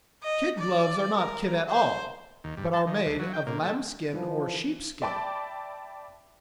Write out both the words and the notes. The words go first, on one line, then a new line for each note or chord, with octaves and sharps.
Kid gloves are not kid at all, but are made of lambskin or sheepskin.
D#5
D5
A#4
C5
D#2
G2
A5
D#3
D2
F#3
G5
A#2
A3
E3 F3
D5 E5 G5 A5 B5 D6